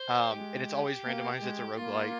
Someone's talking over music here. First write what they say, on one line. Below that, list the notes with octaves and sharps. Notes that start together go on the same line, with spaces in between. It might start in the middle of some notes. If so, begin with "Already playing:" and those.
um, and it's always randomized, it's a roguelite,
Already playing: C5
G#3 G4
A#3
G#3
A#3 F4